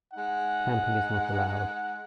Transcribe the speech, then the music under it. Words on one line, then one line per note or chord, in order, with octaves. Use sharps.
Camping is not allowed.
G#3 D#4 F#5